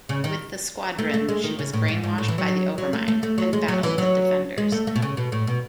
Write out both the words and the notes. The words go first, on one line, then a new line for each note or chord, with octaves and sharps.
With the Squadron, she was brainwashed by the Overmind, and battled the Defenders.
C#3
D#3
A3
A3
G#3
D#3
C#3
A2
G#2
G#2
A2
E3
F#3
F#3
A3
A3
A3
F#3
G#3
F#3
E3
F#3
G#3
A3
A3
B2
C#3
B2
A2
B2